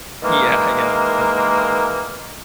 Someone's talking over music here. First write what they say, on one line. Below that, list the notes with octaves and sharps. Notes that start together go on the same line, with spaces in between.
Yeah, yeah, exactly.
D#3 E3 G#3 A#3